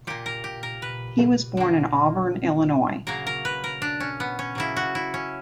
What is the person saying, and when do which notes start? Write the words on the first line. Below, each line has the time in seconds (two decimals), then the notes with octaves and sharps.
He was born in Auburn, Illinois.
0.07 A#2 A#3 G4
0.26 A#4
0.44 G4
0.63 A#4
0.82 B4
1.57 D3 A#3
3.07 C#3 F#3 A#3 A#4
3.27 A#4
3.45 B4
3.64 A#4
3.82 D4
4.00 C#4
4.20 B3
4.39 C#4
4.55 C#3 F#3 A#3 E4
4.76 F#4
4.95 E4
5.14 C#4